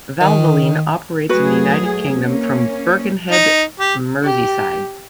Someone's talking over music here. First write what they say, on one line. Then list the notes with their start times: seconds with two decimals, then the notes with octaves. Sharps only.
Valvoline operates in the United Kingdom from Birkenhead, Merseyside.
0.21 D#3
1.29 F#3 A3 F#4 G#4 B4
2.14 A#3 C#4
3.31 D#4
3.80 G4
4.24 G4